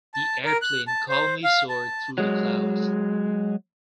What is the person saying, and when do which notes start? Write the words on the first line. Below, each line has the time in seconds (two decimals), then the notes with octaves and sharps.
The airplane calmly soared through the clouds.
0.14 A5
0.45 A#4
0.62 F#6
0.87 A5
1.09 C5
1.44 F5
1.69 A5
2.18 F#3 G#3